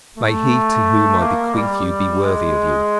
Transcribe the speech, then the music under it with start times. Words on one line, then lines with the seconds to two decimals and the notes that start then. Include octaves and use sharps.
May he to whom I bequeath you be worthy of you!
0.18 A3
1.20 A#3
1.54 G3
2.23 G#3